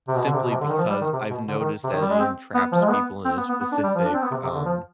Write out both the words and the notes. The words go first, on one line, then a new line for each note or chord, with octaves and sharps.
simply because I've noticed that it entraps people in a specific, um,
C3
B2
D3
C3
B2
C3
D3
D#3
F3
G3
D#3
C3
B2
D3
D#3
C3
D#3
G3
G#3
C4
B3
F3
G#3
B3
C4
B3
B3
B3
D4
G3
F3
D4
C4
B3
C3
C3
D3
F3